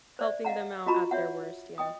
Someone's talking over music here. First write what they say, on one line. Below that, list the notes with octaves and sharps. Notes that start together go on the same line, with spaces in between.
Helping them out at their worst, yeah.
C5 D5 E5
D#5 F5 F#5 A#5
F4 F#4 D#5 A#5 B5 C#6
C#5 E5 F#5
D#5 G5 D#6